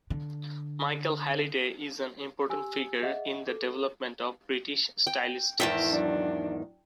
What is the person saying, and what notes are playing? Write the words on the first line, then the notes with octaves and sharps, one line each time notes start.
Michael Halliday is an important figure in the development of British stylistics.
D3
G4 G#5 E6
G#4 D#5 E5 F#5
A4
G5
E2 G#2 D#3 E5 G5 A5
F#3 D4